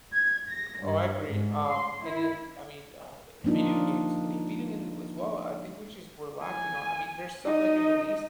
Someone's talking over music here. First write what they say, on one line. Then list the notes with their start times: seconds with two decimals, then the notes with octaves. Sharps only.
Oh, I agree, um, and then, I mean, uh, eh, video games, I think video gaming, as well. I think we're just we're lacking on I mean, there's some that get released,
0.12 G#6
0.50 A#6
0.79 G2
1.29 G#2
1.67 C6
2.04 E4
3.44 F3 A#3 D4 D#4 F4
6.43 G#5
7.44 D#4 D#5